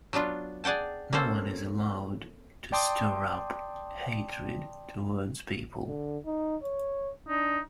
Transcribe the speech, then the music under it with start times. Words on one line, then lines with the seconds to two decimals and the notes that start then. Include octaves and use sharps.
No one is allowed to stir up hatred towards people.
0.13 F#3 B3 D4 F4
0.64 G#4 D5 F#5 G5 A5
1.13 A#3 C4 C#4 A4 C5
2.72 D5 G5 A5 C6 D6 D#6
5.87 D3
6.26 D#4
6.63 C#5
7.29 D4 D#4